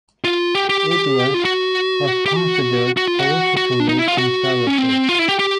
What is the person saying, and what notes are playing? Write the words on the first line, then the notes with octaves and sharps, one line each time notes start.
Edwards was considered politically conservative.
F4
G4
G4
F4
F#4
G4
F#4
F#4
F4
F#4
F#4
D4
D#4
E4
F4
F#4
C#4
C4
F4
E4
G4
G4